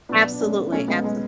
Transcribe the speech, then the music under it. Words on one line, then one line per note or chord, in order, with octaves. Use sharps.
Absolutely, abso
B2 F#3 B3 D4
D4
A3 C#4
B2 F#3 A3 C#4
G#3 B3
G#3